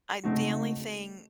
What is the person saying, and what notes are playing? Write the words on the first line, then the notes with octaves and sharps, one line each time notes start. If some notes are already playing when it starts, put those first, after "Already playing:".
I the only thing,
C#3 A3 C4 D#4 F#4